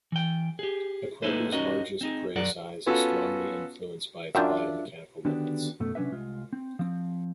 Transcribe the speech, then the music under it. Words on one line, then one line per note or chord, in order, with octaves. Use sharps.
A predator's largest prey size is strongly influenced by its biomechanical limits.
E3 G5
G4 G#4
A#3 D#4 E4 A4 B4 C5
C#4 D#4 F#4 A#4 D#5 F#5
C4 D#4 G#4
F#2 G#4 A#4 D5 F#5
B3 C#4 F4 F#4 A4
F#2 D4 F4 E5 G5
D3 D#3 B3 D4 F#4 G4
F#2 B2 A3
C3 F#3 C#4 D4 B4 E5
C2 G#3 F4
C4
F3 C4